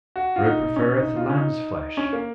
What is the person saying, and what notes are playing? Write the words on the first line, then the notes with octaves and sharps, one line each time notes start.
For it preferreth lamb's flesh.
F#4
F4
D#4
C#4
D#4
F4
C#4
D#4
C#4
A#3